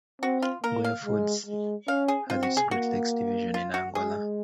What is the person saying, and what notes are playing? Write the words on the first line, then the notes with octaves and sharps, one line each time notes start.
Goya Foods has its Great Lakes division in Angola.
C4 F#4
F4
A#3 A#4
F5
G#3
G#3
C#4 F5
G#4
C4 F4
F#4
G#4
A#3 F#4
F4
F#4
G#3 G#4